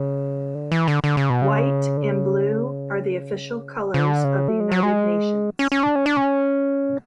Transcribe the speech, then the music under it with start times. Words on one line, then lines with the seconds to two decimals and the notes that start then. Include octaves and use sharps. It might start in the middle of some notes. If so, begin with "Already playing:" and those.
White and blue are the official colours of the United Nations.
Already playing: C#3
0.55 D3
0.72 E3
0.88 D3
1.04 D3
1.17 C#3
1.30 B2
1.42 C#3
1.97 D3
2.02 C#3
3.94 C#3
3.99 D3
4.24 C#3
4.48 A3
4.60 G#3
4.72 F#3
4.83 G#3
5.59 C#4
5.72 C#4
5.83 D4
5.95 C#4
6.06 D4
6.17 C#4